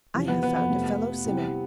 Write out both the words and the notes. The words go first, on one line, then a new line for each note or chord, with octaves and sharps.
"I have found a fellow-sinner."
E2 C3 F3
B3
B3
B3
F2 C3 F3 A3
C3 G3 C4 E4